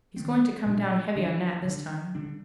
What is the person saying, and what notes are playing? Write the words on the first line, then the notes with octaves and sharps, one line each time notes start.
He's going to come down heavy on Nat this time.
D#3 A3 C4
A#2 G3 D4
D3 G3 D4
D3 G3 D4
D3 G3 D4